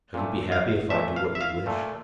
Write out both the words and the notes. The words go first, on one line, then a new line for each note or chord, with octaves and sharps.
"Shall you be happy if I do what you wish?"
A#2 A3
F5
A#2 A3 E5
F5
E5
F5
A#2 A3